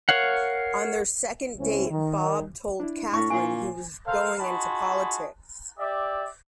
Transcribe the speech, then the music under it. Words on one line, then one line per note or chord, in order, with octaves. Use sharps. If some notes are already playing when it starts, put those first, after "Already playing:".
On their second date Bob told Catherine he was going into politics.
A#4 C#5 F5 F#5
C#2 C4 C#4 E4
D#3
D4 E4
A2 C#6
A#2 G#5
A4 A#4 C5 F5
D#4 F4 F#4 G#4 A5 B5
G4 D5 E5